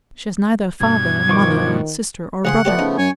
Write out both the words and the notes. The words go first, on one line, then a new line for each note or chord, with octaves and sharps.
She has neither father, mother, sister, or brother.
G2 B2 G#6
D#3 F3 C#6 D6
C#2 F3 G#4 F#5 C6
F3 A3 B3 G4 C5 D5
C#3 D#4
F#2 C#5 G#5 C#6